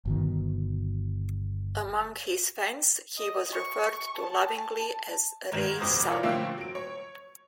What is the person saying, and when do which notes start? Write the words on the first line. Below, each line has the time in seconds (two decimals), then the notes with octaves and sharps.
Among his fans he was referred to lovingly as Rai-sama.
0.05 G1 B2 D#3
3.18 D#5
3.52 C#6
4.18 A5
4.57 A5
5.52 G#2 D#3 G#6 E7
5.79 F1 B1 C3 C5 D#6 G#6
6.08 F4 A#4 C#5 D5
6.23 A#2 D3 F3 A3 A#3 C4
6.58 F#3 D7
6.75 C#5